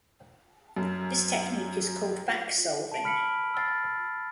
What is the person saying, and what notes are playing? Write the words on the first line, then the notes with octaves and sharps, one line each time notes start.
This technique is called backsolving.
F#2
A5 D7
B5 F6 B6 C#7 F#7
E6 F6 A6 C7